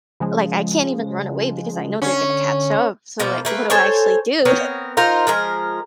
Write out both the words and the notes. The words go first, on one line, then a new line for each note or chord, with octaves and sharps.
like, I can't even run away because I know they're gonna catch up, so like, what do I actually do?"
C#3 F3 G#3
D3 C#4
B2 F3 A#3
A3 A#3 B4
A4 C5 C#5 G#5
B3 C4 A#4 C#5
D#4 F4 A#4 C5
F3 G#3 A#4